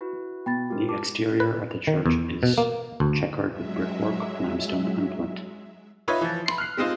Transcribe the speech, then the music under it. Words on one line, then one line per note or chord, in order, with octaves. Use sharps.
The exterior of the church is chequered with brickwork, limestone and flint.
E4 F#4 B4
B2 G5 B5 A6
G#2 F4 G4 A#4
A5 D6
B4
D#3
E2
B2
A#3
D2
F#3 G#3 E5
D#4 F4 B4 C#5 E5 B5
E3 F3
B5 C6 C7
F6 F#6 C7
G#3 C4 D#4 F4